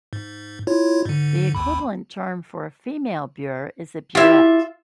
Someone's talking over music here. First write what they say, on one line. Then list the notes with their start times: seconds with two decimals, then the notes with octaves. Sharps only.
The equivalent term for a female beur is a beurette.
0.13 G#2
0.67 E4 F4 C#5
1.05 G#2 D3
1.55 G#1 D#2 B5
4.15 E4 F4 G4 E5